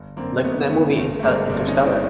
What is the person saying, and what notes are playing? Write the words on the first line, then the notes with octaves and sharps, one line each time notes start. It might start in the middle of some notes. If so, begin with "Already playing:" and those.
Like in that movie, Insta Interstellar.
Already playing: G1
F#2 D3 A#3 C4
G1 A3 B3
F#2 D3 A3 B3
G1 A3
A3
G2 D3 G#3 A#3
G1 C4 D4
C#4 D#4
G2 D3
D4 E4